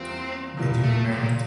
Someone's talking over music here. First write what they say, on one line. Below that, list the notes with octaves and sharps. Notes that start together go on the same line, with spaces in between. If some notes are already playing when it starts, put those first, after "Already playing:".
Betty remarried.
Already playing: E2 E3 G3 A#3 C4 F4
E2 E3 G3 A#3 F4
A3
A#2